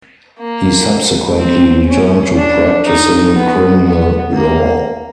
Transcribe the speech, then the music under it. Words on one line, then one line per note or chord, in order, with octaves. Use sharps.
He subsequently returned to practising criminal law.
A#3
C4
C#4
D4
D#4
B3
B3
A#3